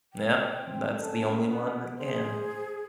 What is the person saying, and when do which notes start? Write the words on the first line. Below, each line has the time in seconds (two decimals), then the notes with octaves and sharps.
Yep, that's the only one that can.
0.13 G5
0.64 C4
0.99 C#4 A4
1.48 B3
1.99 G#4 C5